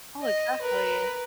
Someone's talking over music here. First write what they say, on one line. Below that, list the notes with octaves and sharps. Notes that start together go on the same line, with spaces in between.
Oh, exactly.
D#5
A#4 B4